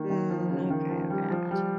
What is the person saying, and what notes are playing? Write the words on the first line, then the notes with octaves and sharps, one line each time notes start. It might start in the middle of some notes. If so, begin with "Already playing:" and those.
Mm, okay, okay, I got you.
Already playing: D#3 A#3
D#3
F3
C#3
D#3
F3
G3
F3
G3